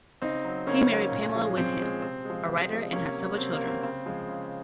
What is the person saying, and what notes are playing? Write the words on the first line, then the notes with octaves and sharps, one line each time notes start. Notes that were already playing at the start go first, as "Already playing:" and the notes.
He married Pamela Wyndham, a writer, and had several children.
C#3 C4 D#4
F#3
C#3 A#3 C#4
F#3
A#2
F3 G#3
A#2 C4
F3 G#3
C3 C4
F3 G#3
C3
F3 G#3
C3 A#3 C#4
F#3
C3 C4
A#3
F#3
C4
C#3 C4
F3 G#3
C#3